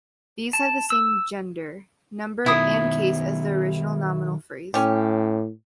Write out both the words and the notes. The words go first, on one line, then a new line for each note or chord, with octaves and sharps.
These have the same gender, number and case as the original nominal phrase.
A5
E6
B2 D#3 E4 D#6
A2 C#4 G4